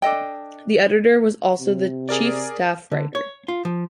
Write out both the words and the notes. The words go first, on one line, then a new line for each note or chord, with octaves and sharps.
The editor was also the chief staff writer.
D4 A4 D#5 G5
C3
G#4 A#4 D5
D3
C#5
F4
F3